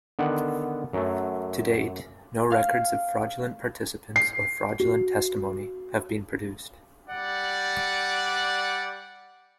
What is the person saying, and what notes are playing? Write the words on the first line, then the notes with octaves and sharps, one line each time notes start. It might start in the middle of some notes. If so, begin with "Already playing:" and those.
To date, no records of fraudulent participants or fraudulent testimony have been produced.
D3 D#3 B3 F#5
F#2 F#3 A3
F5
C7
F#4
G3 D5 F#5